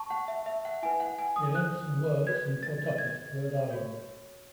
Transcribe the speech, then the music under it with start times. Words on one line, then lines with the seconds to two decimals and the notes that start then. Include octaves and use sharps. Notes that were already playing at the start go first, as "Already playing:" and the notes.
He lives and works in Pawtucket, Rhode Island.
Already playing: A5 C#6
0.10 F#5
0.28 E5
0.46 E5
0.65 F#5
0.83 E4 B4 G#5
1.00 F#5
1.19 G#5
1.36 D#6
1.55 F#6
2.26 F#4 B4 G#6
2.63 A6
2.98 G#6
3.71 F#4 C#5